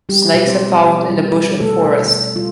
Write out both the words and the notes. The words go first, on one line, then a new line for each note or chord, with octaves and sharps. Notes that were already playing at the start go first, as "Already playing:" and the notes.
Snakes are found in the bush and forest.
G3 G4
B2
C4 C5
G3
B2
G3
B2
B2 A3 A4
B2
B2
G3 F4